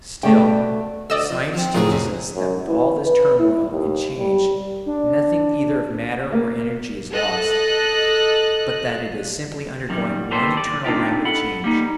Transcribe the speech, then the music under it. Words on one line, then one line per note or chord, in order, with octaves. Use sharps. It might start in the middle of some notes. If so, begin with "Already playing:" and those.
Still, science teaches us that with all this turmoil and change nothing either of matter or energy is lost, but that it is simply undergoing one eternal round of change.
B2 A3 D5 G5
D2 D5 D#5 E6
F3
F3 C4
A2 C#3 F3 F#3 D#4 G#4 A#4 C#5
F2 C3
F#2
E3
B4
E4
D#2
G3
D4
A#3
A4 D#5 F#6
F#2 D#3 G3
A#3 G4 A4 B4 C5
D5
C4 D4 D#4 F4 G4
A4 F#5 B5
G3 A#3 D#4